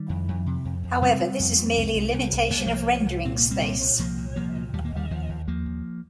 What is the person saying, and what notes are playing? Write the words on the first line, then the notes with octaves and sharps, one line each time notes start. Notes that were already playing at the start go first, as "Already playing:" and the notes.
However, this is merely a limitation of rendering space.
Already playing: D#3 G3
F2
F2
C3
F2
F2
C3 G3 C4
C3
F2
F2
C2
C2
C2
C2
C2 A#3
G3
C2 F3 A#3
C2
C2
A#2 C4
A#3
C2
G3 C4
A#2
A#2
C2 F3 A#3
A#2
C2 F3 A#3
A#2
D#2 G3
A#3
D#2 D#3 G3
D#2 F3
D#2
D#2 F3 A#3
D#2